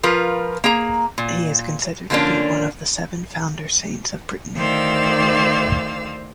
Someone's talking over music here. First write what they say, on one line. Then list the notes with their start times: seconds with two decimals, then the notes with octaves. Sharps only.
He is considered to be one of the seven founder saints of Brittany.
0.03 F3 F4 A#4 B4
0.64 A#3 G#4 A#5
1.18 A#2
2.10 D3 F3 A#3 C#4 D4
4.58 D2 D#3 C5 D5 F5 E6